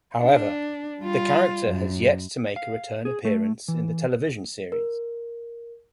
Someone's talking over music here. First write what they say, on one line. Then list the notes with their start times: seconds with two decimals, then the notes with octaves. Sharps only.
However, the character has yet to make a return appearance in the television series.
0.20 D4
1.00 G3 F4
1.67 F#2
2.56 F5
3.05 G#4
3.25 A3
3.68 E3
4.72 A#4